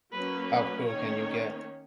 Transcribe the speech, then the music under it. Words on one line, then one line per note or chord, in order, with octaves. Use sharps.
How cruel can you get?
F#3 A#3 C#4 B4
B4
D#3 A#3 C#4 C#5